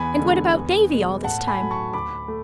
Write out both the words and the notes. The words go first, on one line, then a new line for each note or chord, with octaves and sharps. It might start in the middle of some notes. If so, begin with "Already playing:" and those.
And what about Davy all this time?
Already playing: E2 G#5 B5
D3 G#3
E2
B2 G#3
A2 F#5 A5
G#5 B5
F#3 A3
A5 C#6
D2 B5 D6
A3